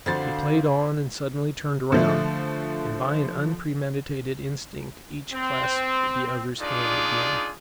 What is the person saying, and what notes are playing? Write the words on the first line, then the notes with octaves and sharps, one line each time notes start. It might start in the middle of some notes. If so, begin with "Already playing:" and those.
She played on and suddenly turned round; and by an unpremeditated instinct each clasped the other's hand again.
F2 D3 F#4 C5 F5 A6
D3 F3 A3
C4
D4 D#4 F4 G#4 D5